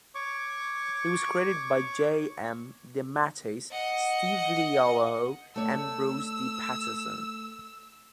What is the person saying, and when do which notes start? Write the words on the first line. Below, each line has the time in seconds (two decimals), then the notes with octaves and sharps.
He was created by J. M. DeMatteis, Steve Leialoha, and Bruce D. Patterson.
0.15 C#5 C#6 D6
3.72 D#5 F#5
5.56 A3 C#5 D5 E6